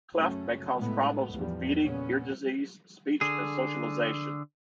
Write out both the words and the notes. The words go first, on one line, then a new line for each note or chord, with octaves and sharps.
Cleft may cause problems with feeding, ear disease, speech and socialization.
F#2 C#3 F#3 A3 C#4
A2 G#3 A3 B3
E2 A2 F3 G3
A#2 C#3 B3 C#4
D3 G#4